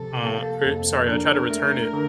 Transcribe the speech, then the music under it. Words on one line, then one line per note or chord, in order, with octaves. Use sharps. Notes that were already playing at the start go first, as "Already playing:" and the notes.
Uh, I sorry, I tried to return it
Already playing: C3 F3 A4
A#3
F2
D4 A#4
A3
D3